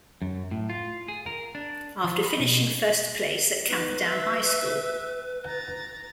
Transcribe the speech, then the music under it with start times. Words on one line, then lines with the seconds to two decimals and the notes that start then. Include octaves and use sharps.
After finishing first place at Camperdown High School.
0.22 F#2
0.51 A2
0.70 F4
1.08 G#4
1.26 A#4
1.55 D4
2.04 F3
2.26 B5
2.39 B2
3.67 B3 D#4 B4
4.06 E5
5.45 A#5 A6